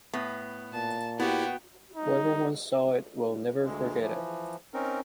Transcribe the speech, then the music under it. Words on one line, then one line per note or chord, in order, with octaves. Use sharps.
Whoever once saw it will never forget it.
A2 B3
A#2 A5
B3 E4 F#4 G4 G5
D#4
D2 G#3
E3 F3
C4 C#4 D#4 A#4